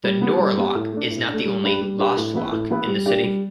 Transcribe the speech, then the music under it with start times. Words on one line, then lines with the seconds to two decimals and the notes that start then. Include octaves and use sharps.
The Nor Loch is not the only "lost loch" in the city.
0.04 G3
0.22 B3 G4
0.39 G3
0.57 B3 G4
0.75 A2
0.92 A3 D4
1.10 A2
1.28 D4
1.33 A3
1.45 G3
1.64 D4 G4 B4
1.81 G3
1.99 D4 G4 B4
2.17 A2
2.34 E3 B3 E4 B4
2.52 A2
2.70 E3 B3 E4 B4
2.87 G3
3.05 D4 G4 D5
3.23 G3